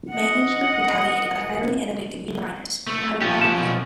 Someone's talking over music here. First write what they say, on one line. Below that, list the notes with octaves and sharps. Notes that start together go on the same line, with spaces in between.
Management retaliated by firing and evicting union miners and hiring non-union labour.
D#5 F#5
A3
A#2 F3 C#4 F4 G4
F4 G4 A5
B2